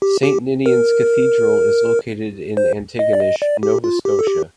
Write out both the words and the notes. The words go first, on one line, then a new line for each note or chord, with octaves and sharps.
Saint Ninian's Cathedral is located in Antigonish, Nova Scotia.
G4
G4
A#4
C5
D#5
D5
D#5
D5
G4
F4
G4
A4
G4